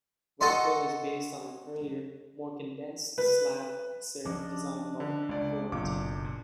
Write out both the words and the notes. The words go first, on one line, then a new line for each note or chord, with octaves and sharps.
Rockwell is based on an earlier, more condensed slab serif design called "Litho Antique".
F#4 A4 D#5 C6
B4
F3 C#4 D4 D#5
D3
C#2 G#3 D5
F#1 B1 A#2 D6
A#2